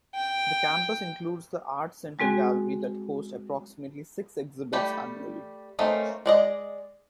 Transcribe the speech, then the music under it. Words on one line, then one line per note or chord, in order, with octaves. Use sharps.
The campus includes the Art Center Gallery that hosts approximately six exhibits annually.
G5
G3 G#3 C4 F#4 G#4
G3 A3 G4 B5
A3 A#3 C4 C#4 D#4
G#3 D5 D#5